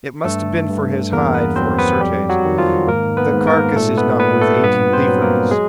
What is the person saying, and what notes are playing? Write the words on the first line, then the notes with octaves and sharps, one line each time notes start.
It must have been for his hide, for, CERTES, the carcass is not worth eighteen livres.
G2 A3 A4
G2
E2 A#3 A#4
B3 B4
F#3 C4 C5
B3 B4
F2 G3 G4
F#3 F#4
D#3
F3 F4
G#2 A#3 A#4
B3 B4
G#2
A#3 A#4
A#2 A3 A4
B3 B4
A#2 B3 B4
A3 A4
G2 B3 B4
C4 C5
F#3
A#3 A#4
G#3 G#4